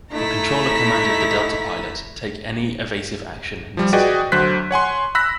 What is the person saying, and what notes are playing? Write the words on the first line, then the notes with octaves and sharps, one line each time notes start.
The controller commanded the Delta pilot, Take any evasive action necessary.
A3 D#4 E4 A#5 B6
F3 G3
F#4 G#4 B4 D5 D#5 G5
D2 F#3 C5 F#6 B6
C#5 F#5 G#5 C6
B5 E6 F#6 A#6 B6